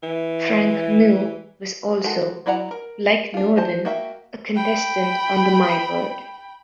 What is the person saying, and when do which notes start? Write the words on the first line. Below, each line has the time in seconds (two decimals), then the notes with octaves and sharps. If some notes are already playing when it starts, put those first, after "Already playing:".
Frank Muir was also, like Norden, a contestant on the My Word!
0.03 E3
2.04 D#3 G#3 F#4 A4
2.46 F#3 E4 D5 F#5 A#5
2.71 A#4
3.34 D4 F4
3.56 F3 C5 A5
3.85 A#3 F#4 A#4 E5 G5
4.56 G5 B5